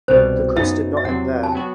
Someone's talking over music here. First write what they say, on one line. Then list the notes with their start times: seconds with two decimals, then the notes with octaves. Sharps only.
The cuts did not end there.
0.08 C2 B2 G3 C5
0.56 F#2 F#3 B3 D#4 E5
0.97 E5
1.04 E2 C3 F#3 F#5
1.43 A5
1.52 F#3 B3 F#4 G5